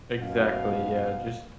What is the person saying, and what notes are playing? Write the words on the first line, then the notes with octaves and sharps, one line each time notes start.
Exactly, yeah, just
F#2 B2 F5